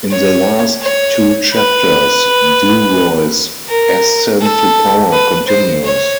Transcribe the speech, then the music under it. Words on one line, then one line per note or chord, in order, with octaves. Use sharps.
In the last two chapters, Duroy's ascent to power continues.
C#5
C#5
B4
A#4
A4
B4
C5
C#5